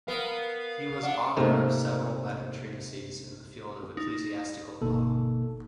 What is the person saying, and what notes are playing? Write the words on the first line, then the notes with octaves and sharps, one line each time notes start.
He was author of several Latin treatises in the field of ecclesiastical law.
B3 A#4 F5
D4 F#5
G#2 C3 A3 A#3 D#4
D#4
G1 B2 A#3 D#4 A4